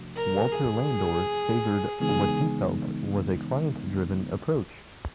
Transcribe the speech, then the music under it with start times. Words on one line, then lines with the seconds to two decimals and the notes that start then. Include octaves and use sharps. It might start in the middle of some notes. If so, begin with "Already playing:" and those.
Walter Landor favored what he felt was a client-driven approach.
Already playing: C3 F3 A3 D4 F#4
0.17 A#4
0.53 G#4
2.00 C#3 E3 G#3 B3 D#4 G#4